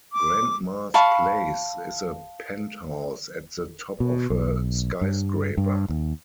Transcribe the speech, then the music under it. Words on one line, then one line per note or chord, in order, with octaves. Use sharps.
Grandma's place is a penthouse at the top of a skyscraper.
D6
F5 A5 B5 C#6
B2
B1
G2
G2
D#2